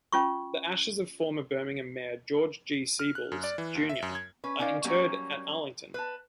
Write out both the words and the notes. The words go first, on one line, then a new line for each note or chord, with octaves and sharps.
The ashes of former Birmingham mayor George G. Siebels, Junior are interred at Arlington.
C#4 F4 C#6
F6
F#6
F#2
D5
E3
D#2
E5
F#2
G#6
C#4 B4
C#4 D#4 A#4 D5 F5
F#3 G3 A#3 C#4
B4 A5